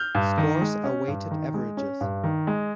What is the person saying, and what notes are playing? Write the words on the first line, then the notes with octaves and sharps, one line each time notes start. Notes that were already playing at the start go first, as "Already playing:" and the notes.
Scores are weighted averages.
Already playing: F6 G6
G2
D#3
G#3
C#4
G2
D#3
G#3
C#4
G2
D#3
G#3